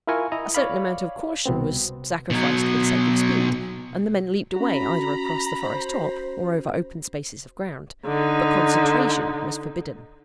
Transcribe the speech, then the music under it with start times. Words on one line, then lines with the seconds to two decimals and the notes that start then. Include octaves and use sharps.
A certain amount of caution was sacrificed for the sake of speed, and the men leaped away either across the forest top, or over open spaces of ground, but concentration was forbidden.
0.07 E4 F4 A#4 G#5 C#6
0.32 E4 D#5 A#5 D#6
0.55 C#5 D5 F5 B5
1.46 C2 B2 B3 C4
2.30 B2 F#3
4.56 C#4 F#4 A#5 B5
5.63 C5
8.06 D3 D#4